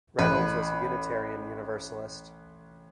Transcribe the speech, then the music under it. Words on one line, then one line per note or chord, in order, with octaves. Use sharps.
Reynolds was a Unitarian Universalist.
A1 B4